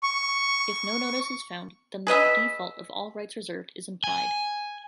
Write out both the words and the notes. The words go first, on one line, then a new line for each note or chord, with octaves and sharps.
If no notice is found, then the default of "All rights reserved" is implied.
C#6
G#4 B4 D#5 E5
G#5